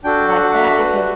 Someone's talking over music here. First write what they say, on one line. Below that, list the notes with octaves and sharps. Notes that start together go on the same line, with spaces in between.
like that? Because
D4 F#4 A4 G5
F#5
E5
A4
B4